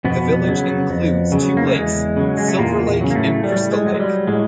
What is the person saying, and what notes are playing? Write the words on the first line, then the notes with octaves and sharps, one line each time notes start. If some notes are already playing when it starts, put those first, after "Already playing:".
The village includes two lakes: Silver Lake and Crystal Lake.
F2 B2 B3
C#3 F#3
F2
C#3 F#3
A#3
A3
E2 G#3
C#3 F#3
G#3
A3
E2 A#2 A#3
C#3 F#3
A#3
A2 A3
A2 G3
G#3
F#3
G#3
G3
A2 G#3